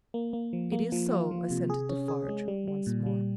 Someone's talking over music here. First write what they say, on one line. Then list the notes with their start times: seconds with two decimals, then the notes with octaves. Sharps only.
"It is so," assented Defarge once more.
0.14 A#3
0.33 A#3
0.53 F3
0.72 A#3
0.92 F3
1.11 F4
1.31 F3
1.51 C3
1.70 G#4
1.89 C#4
2.08 G#4
2.28 G#3
2.48 G3
2.68 G3
2.87 A#2
3.06 G3